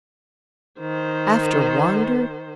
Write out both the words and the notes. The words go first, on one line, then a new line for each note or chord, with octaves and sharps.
After Wander?
D#3 C5